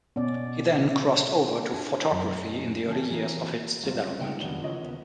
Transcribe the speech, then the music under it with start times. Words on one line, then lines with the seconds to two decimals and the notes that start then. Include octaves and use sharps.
He then crossed over to photography in the early years of its development.
0.16 B2 C#4 D5
1.73 D4 E4 G#5
2.10 F#2 B2
2.87 C#3 E3 C4 A4
3.10 E3 A#3 F#4 G#4 A#4
3.83 F#1 C3 F#3 G3 F4
4.08 C#2
4.21 C#3 G3 G#3 D#4 F#5 G5
4.42 F2 C3 D#3 F#3 G3 B3 D4
4.62 A#2 C#3 E3 C#5 D#5
4.82 D#2 C#3 B3